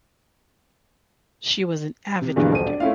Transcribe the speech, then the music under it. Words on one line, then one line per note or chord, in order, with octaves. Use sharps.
She was an avid reader.
C3
G2 B2 D3 E3 G#3 A#3
D#1 B1 C5 D#7
D4
A3 C4 C#4 E4 F4 F5